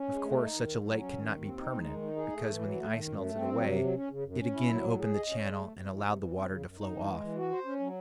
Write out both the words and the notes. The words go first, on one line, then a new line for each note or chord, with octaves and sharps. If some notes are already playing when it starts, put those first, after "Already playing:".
Of course such a lake could not be permanent, because, when the ice melted away, it again opened the channel and allowed the water to flow off.
Already playing: C#4
G#3
A3
D#4
D#3
G#2
F#3
C#4
D#3
D#2
C4
D#4
G#3
D#3
D#4
G#4
A3
E3
F#3
A3
D#3
F#2
A3
C4
F#3
C3
F#3
C#4
C#3
F#2
C#4
E4
F#3
A2
G#4
D#5
C#4
G#3
A3
C3
E3
C3
E3
C4
C#3
F#2
D#4
E3
G#3
E3
F#4
C5
C#4
F#3